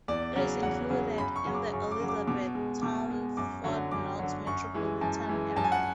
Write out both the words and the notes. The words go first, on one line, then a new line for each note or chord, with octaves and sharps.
It is included in the Elizabethtown-Fort Knox Metropolitan Area.
E2 D5
C#3 F#3
E2 F#5
C#3 F#3
F#2 B5
C#6
C#3 F#3
D6
F#2 C#6
D6
C#3 F#3
D6
B2 D6
G#3
B2 D6
G#3
F#2 D6
D3 F#3
F#2 D6
D3 F#3
F#2 C#6
E3 G#3
F#2 A5
E3 G#3
F#2 A5
G#5
F#5